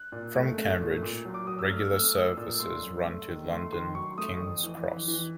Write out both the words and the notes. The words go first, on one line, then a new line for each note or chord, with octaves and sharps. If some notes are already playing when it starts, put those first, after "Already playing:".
From Cambridge, regular services run to London King's Cross.
Already playing: F#6
A#2
A3
A3
A#2
A#2
F#3
D6
F#3 D#6
E6
A3 F6
A3 E6
A3 D#6
A#2 E6
A3 C6
F#2
A3
D#3
A3 C6
D#3 C6
F#3 C#6
A3 D#6
F2
E3
E3
E3